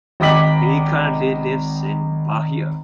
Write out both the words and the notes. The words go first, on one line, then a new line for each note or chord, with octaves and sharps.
He currently lives in Bahia.
G#1 D#5 G5 D6 B6 F#7